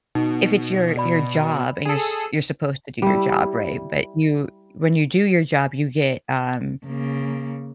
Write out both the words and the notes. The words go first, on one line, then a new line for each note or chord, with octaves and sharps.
if it's your your job, and you're s you're supposed to do your job, right? But, you when you do your job, you get, um,
B2 D#4
D5 B5
G#4 A4
G3 E4
C#3 A#3